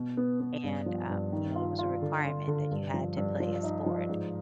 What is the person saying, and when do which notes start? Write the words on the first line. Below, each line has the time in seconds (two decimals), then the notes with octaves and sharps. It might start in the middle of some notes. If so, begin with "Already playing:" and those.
and, um, you know, it was a requirement that you had to play a sport,
Already playing: B2
0.17 B3
0.40 B3
0.63 G2
0.86 F3
1.09 G2
1.32 D#3
1.55 F4
1.79 F4
2.02 D3
2.25 D3
2.47 D3
2.71 G2
2.94 F3
3.17 G2
3.40 F3
3.63 D#4
3.86 F3
4.09 G#2